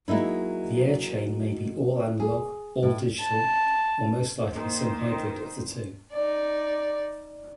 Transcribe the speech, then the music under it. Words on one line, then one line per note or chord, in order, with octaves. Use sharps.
The airchain may be all-analogue, all-digital, or most likely some hybrid of the two.
F#3 G#3 A#3 D#4 E4
G#4
A2
A5
D#3 A#3 C5 D#5 C6
D#4 D5